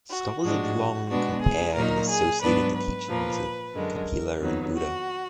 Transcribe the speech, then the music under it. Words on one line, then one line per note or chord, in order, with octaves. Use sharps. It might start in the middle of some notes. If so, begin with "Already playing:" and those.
Scholars have long compared and associated the teachings of Kapila and Buddha.
F#4
G#2 F3 G#3 D4 F#4
B2 G#3 B3 D4 F#4
G#4
A#2 F#3 A#3 D#4 A#4
G#4
G#2 F#3 B3 D4 B4
B4
A#2 F3 A#3
F#2 D3 G#3 A#4
F2 D#3 F#3 B3 D#4
F#4